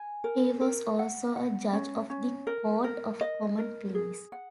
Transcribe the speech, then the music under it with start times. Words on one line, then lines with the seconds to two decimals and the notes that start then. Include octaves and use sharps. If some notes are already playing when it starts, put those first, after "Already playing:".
He was also a judge of the court of common pleas.
Already playing: G#5
0.24 A#4
0.61 A#4
0.99 F#5
1.36 F#5
1.73 C#4
2.10 C#4
2.47 A#4
2.84 A#4
3.21 D#5
3.58 A#4
3.95 G#4
4.32 F#5